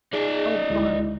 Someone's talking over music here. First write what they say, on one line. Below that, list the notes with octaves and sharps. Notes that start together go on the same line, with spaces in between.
Oh, Bonnie!
D#4 G#4 D5
D2 G#3 E4